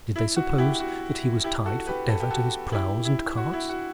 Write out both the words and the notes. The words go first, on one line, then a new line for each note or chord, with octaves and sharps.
Did they suppose that he was tied for ever to his ploughs and carts?
E4
F#4
E4 G4
F#4
E4 G4
F#4 A4
G4 B4
A4
G4
F#4 A4
E4 G4
E4
F#4
E4
F#4